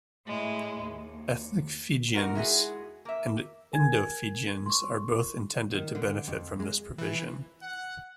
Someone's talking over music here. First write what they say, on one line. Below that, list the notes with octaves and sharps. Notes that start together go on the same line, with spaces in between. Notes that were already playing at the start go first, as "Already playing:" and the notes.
Ethnic Fijians and Indo-Fijians are both intended to benefit from this provision.
A2 G#3 E4
D#2
D#4 F#4 A#4
G#3 E4 F#4 G#4
A#3 E5
A#4 G#5 G#6
C6 C#6
D#3
D3
F2
G#3
E3
F#5